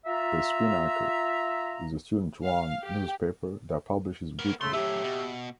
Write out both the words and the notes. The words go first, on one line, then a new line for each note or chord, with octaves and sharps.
"The Spinnaker" is the student-run newspaper that publishes weekly.
F4 E5 A#5
F5
G4
B3 A#4
C#3 A3 C6
F#3 A3 G4 E5
B2